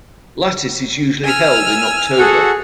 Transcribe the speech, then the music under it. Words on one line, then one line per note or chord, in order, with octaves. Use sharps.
"Lattice" is usually held in October.
G#5 E6 F6
F#4 G#4 A4 F#5